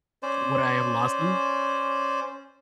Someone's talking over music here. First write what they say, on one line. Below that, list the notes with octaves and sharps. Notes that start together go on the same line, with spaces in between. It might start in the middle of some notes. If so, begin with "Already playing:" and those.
Would I have lost them?
C#4 C5 D5